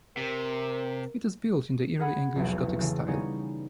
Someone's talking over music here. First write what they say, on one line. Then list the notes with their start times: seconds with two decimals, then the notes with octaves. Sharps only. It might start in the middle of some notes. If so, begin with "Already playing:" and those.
It is built in the Early English Gothic style.
0.17 C3 A#4
1.99 G#4 F#5 B5 G#6
2.35 F1 B1 E2
2.80 C#3 E3 A3
3.07 C#3 G3 B3 C#4 D#4